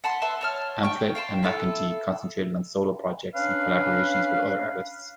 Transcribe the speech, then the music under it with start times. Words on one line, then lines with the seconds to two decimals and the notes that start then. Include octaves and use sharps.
Amphlett and McEntee concentrated on solo projects and collaborations with other artists.
0.04 F#5 A5 B5 C6
0.22 B4 E5 A5 C6
0.41 C#5 A5 F6
0.83 G5 C#6
1.15 F5 G5 A5 C6
1.43 E4 F4 A4
3.35 C#4 D4 B4 F5